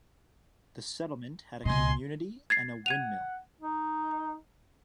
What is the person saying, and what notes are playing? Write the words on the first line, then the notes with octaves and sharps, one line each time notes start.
The settlement had a community and a windmill.
C#2 B2 D#5 G#5 C6
G#6 A6 C7
F#5 G#6 D#7 F7
D#4